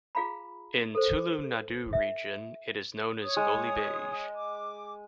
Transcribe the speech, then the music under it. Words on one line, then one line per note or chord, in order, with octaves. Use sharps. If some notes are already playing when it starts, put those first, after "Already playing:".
In Tulu Nadu region, it is known as Golibaje.
F4 G#4 F5 A#5 B5
A4 A#4 C5
E5
C#5 D#6
G#3
D6